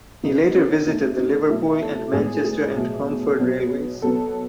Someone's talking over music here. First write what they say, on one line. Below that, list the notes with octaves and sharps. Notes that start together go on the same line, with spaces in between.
He later visited the Liverpool and Manchester and Cromford railways.
B2 F#3 B3 D#4
C#4
B2 A3 D#4
D#4
B2 F#3 A3 E4
A4
A2 G#3 B3 G#4
G#4
B2 F#3 A3
B2 F#3 B3
B2 F#3 B3 A4